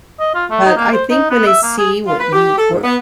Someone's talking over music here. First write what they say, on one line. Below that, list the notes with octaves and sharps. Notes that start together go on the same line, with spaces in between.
But I think when they see what you we
D#5
F4
A3
D#4
A#3
C5
D#4
B3
E5
A#3
G#4
F4
B4
G4
A4
G#2
B3